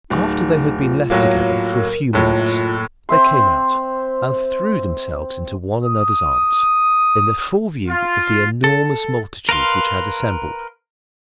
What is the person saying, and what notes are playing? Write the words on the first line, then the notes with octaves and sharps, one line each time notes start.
After they had been left together for a few minutes they came out, and threw themselves into one another's arms, in the full view of the enormous multitude which had assembled.
D1 D#4
F4
A2 F#3 A#3
A#4
F#1 A2 F4
C4 E5 C6
D#6
F4
A4
A#4 B4 F5 C6